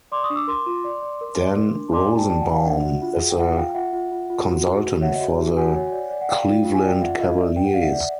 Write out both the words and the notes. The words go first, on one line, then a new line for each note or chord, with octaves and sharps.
Dan Rosenbaum is a consultant for the Cleveland Cavaliers.
D5 C6 D6
C#6 D#6
D4
D6 E6
A#4 C6 D6
F4
D5
D5
A#4
D5
A#4
D4
D5 C6 D6
G#5 A#5
F#4
G5 A5
D5 G5 A5
F#5 G#5
D5
F5 G5
D4 E5 F#5
F#4
F4
G#4
G5
F4 E5 F#5
F4 F5 G5
F4 E5 F#5
F4
F4
F4
F#4
F#4
F#4
C#5 E5 F#5
D#5
F#4 E5
F#4
F#4 F#5 G#5
C#5
D5
D5
F#5
D5 F5 G5
F4
F4
G#5
D5 G5
F4 E5 F#5
F4 D#5 F5
D5 E5
A#4 G5
F#5
D5 F5
E5 F#5
D5